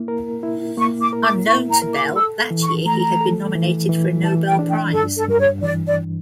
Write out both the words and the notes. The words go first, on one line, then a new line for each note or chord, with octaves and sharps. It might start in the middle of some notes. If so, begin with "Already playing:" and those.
Unknown to Bell, that year he had been nominated for a Nobel Prize.
Already playing: A#3 E4
A#4
E4
A#3 C#6
D6
A#4
D6
E4 C#6
A#5
A#4
D6
A4 E6
E3
C#6
A3 A#5
A4
E3
E3
E3 A5
G5
D4
G5
G2 A4
A4
G2 A#4
C#5
E3 D5
D5